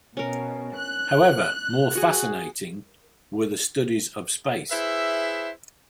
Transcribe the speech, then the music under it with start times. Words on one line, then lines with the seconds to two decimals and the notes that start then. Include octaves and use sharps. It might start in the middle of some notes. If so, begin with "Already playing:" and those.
However, more fascinating were the studies of space.
0.17 B2 C#4 A#4
0.77 F#6
1.95 F#4 G#4
4.71 E4 G#4 B4 C5 E5